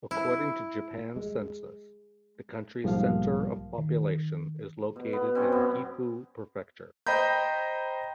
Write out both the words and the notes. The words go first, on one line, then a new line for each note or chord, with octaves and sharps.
According to Japan's census, the country's center of population is located in Gifu Prefecture.
E4
G#3
B1 G#2 F3 G3 A#3 F5
D#3
B2
B3
B2 C4 C#4 D5
F#2 B3
C5 D#5 G5 A#5 B5 G6